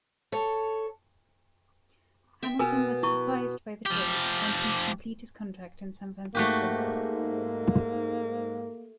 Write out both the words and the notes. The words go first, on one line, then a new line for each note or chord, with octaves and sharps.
Hamilton was surprised by the trade, wanting to complete his contract in San Francisco.
A4 C#5
E5 G5
B2 A#4 B4 G#5
E4 B4 C#6
F3 G4
G#2 A3 A#3 F#4 G4